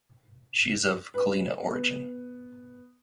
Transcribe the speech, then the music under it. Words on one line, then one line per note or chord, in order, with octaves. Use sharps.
She is of Kalina origin.
B4
B3